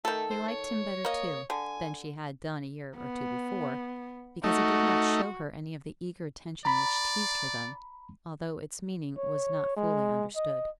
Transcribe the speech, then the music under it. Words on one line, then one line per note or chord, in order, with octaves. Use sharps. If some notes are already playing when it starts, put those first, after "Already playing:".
She liked him better, too, than she had done a year or two before, because he did not show her any of the eager attention which teased her then, although its meaning was not fully understood.
D#3 A3 A4
C5
C#5
A#3 D#5
D3 G#5
B3
A3 D#4 F#4
D5 A#5 B5
C#5
G#3
D#5